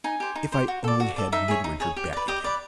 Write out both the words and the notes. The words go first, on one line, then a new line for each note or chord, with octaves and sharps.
"If I only had Midwinter back again!"
D#4 G#5
G4 C5
D#4
G4 C5
F#4
A4 D5
F#4
A4 D5
D#4 E5
G#4 C#5
D#4
G#4 C#5
G4
B4 D5
G4 D#5
B4 D5